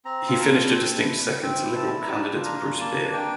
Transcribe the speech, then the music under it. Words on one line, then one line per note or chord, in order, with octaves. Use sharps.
He finished a distant second to Liberal candidate Bruce Beer.
C4 A#5
F4 A#5
A5
G3
C4
E4
G3
C4 G5
E4
A5
G3
A#5
D4 A5
F4
A#5
G3
A#3 A5
D4
G5